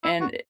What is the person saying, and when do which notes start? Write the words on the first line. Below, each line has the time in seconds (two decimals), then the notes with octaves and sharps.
And, eh,
0.03 E4
0.21 F#4